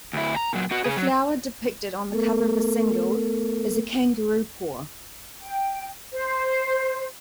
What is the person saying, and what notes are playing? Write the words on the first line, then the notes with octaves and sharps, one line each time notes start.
The flower depicted on the cover of the single is a Kangaroo paw.
D2 E4
A#5
A#2 F#3
B3 F#4
C#3 G#4
F#3
A3 B3 A4 A#4
G5
C5